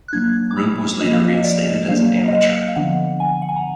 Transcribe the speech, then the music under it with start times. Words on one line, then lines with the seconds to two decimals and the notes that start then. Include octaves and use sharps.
Rube was later reinstated as an amateur.
0.08 F#6
0.13 F#3 A#3 D4 G#6
0.51 D6
0.57 B5
1.00 F3 A#3 D4 D#5
1.13 F5
1.24 D#5
1.44 D5
1.88 F#3 A#3 D4 F5
2.28 D#5
2.33 F5
2.68 F5
2.76 D3 F3 B3 D4 F#5
3.20 G#5
3.42 F#5
3.49 G#5
3.56 A#5